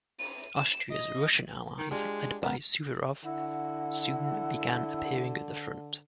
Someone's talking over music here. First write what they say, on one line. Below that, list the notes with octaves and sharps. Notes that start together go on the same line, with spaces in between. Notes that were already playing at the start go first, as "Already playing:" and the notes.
Austria's Russian allies, led by Suvorov, soon began appearing at the front.
D#7
E7
D#5
D#3
G#3 D4 F4 G4
C#2 B3 A#4
D3 E4 F#5